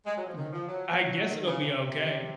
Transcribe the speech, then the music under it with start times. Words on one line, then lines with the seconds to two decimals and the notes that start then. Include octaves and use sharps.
Mhm. I guess it'll be okay
0.05 G#3
0.16 F#3
0.26 F3
0.36 D#3
0.52 F3
0.67 F#3
0.98 F#3
1.29 D#3
1.45 C#3
1.60 C3